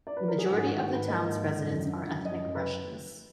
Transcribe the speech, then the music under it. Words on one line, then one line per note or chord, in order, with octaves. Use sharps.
The majority of the town's residents are ethnic Russians.
D5
B4
A#4
G#4
G#2 F#4
G#4
D#3 F#4
F#4
G#2
B4
A#3 D#5
G#2
D#3
F#2
D3
F#2
F#3 D#5
F#2
B4